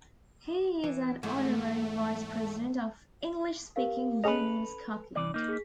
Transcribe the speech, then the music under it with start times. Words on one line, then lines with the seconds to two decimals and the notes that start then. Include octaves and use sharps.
He is an Honorary Vice-President of English-Speaking Union Scotland.
0.84 E3
1.23 E2 G#2 A3
3.76 G4 A#4 F5
4.24 C#4 G#4 A4 B4 D#5 F7
5.16 C2 E3 D5
5.34 A#3 D#4
5.48 G#4 B6